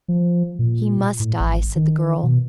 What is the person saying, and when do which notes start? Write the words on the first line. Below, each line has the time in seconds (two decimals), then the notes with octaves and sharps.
"He must die," said the girl.
0.08 F3
0.59 A#2
1.19 A2
1.40 G#1
1.75 D#3
2.23 B2